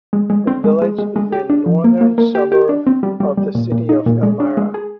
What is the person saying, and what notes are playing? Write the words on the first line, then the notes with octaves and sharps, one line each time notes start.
The village is a northern suburb of the city of Elmira.
G#3
G#3
C4
G#3
G#3
G#3
G#3
G4
D4
F3
A#3
A#3
A#3
G4
G4
D4
C4
G3
G3
G3
A#2
A#2
D#4
A#2
G#3
D4
G#3
G#4